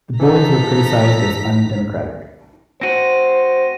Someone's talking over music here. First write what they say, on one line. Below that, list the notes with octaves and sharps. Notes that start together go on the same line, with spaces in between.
The Boards were criticized as undemocratic.
E3 F3 D#4 A4 A#5 B6
C4 F#4 C5 A#6 D#7